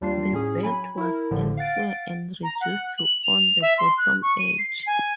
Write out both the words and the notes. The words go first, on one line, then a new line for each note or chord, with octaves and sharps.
The belt was elsewhere and reduced to on the bottom edge.
D#2 G3 D4 F4 C7
A2 C#4 G#4
F#3 G#5 B5
E4 A#4
G#1 A2 D3 F3
F5 F#5 A6 D7
A#5
F#5
F#7
F7
E5
C6
F#6
C#6
D#7
C7
G#5